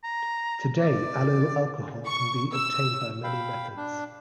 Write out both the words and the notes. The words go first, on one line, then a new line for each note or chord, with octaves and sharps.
Today allyl alcohol can be obtained by many methods.
A#5
D5
C#6
E6
F5 G5 B5
D4